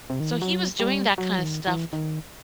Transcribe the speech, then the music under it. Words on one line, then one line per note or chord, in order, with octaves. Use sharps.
So, he was doing that kind of stuff
C3
D#3
E3
F#3
G3
F#3
E3
D#3
E3
D#3